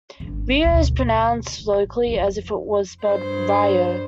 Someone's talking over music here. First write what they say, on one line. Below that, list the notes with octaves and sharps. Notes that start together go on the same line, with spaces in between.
Rio is pronounced locally as if it were spelled Rye-oh.
G#1 D4
D2 B2
A1
F2 E4
G2 C5